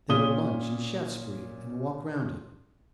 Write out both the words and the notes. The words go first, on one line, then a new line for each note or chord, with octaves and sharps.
They would lunch in Shaftesbury and walk round it.
A#2 C#4 D#6 G7